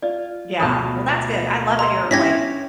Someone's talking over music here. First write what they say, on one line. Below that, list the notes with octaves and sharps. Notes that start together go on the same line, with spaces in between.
Yeah. Well that's good, I love that you're like
F4 D5
D2 B2 F3 G#4 A5 D#6
D#5 A#5 C6 E6
C#4 D4 E4 G4 C#5 G#6 A#6 B6